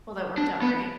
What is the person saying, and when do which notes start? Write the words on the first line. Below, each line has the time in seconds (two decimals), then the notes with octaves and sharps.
Well, that worked out great.
0.38 D4
0.62 B3